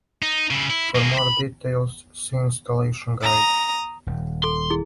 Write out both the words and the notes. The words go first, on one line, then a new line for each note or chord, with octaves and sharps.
For more details, see the Installation Guide.
D#4
C#3 E4
E4
A#3 G#4
C5 B5
A#5 D#6
D#1
A4 C6
E4 G#4